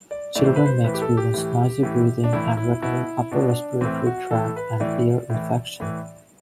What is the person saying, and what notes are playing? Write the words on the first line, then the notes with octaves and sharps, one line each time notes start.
Children may experience noisy breathing and recurring upper respiratory tract and ear infections.
D5
A2 E3 D5
C5
B4
C5
A2 E3 B4
G4
A4
G4
A2 E3
A2 E3
D4
A2 E3 E4
E4
B2 E4
B2 D4
A2 E3 C4
F#4
A2 E3 A4
B4
A2 E3 D5
A2 E3
A2 E3